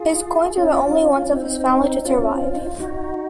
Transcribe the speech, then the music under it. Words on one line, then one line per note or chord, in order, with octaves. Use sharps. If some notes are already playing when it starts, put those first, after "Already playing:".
His coins are the only ones of his family to survive.
Already playing: F4 G#4
C#4 F4
C#4
C4 D#4
C#4 F4
C4
C#4
D#4
F4
D#4 F#4